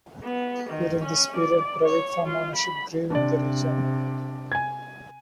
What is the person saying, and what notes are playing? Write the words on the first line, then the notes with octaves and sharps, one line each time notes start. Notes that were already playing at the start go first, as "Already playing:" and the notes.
During this period, private farm ownership grew in the region.
B3
D#3
C#4
D5
C#5
F4
B5
C3 D4 D5
G#5 G#6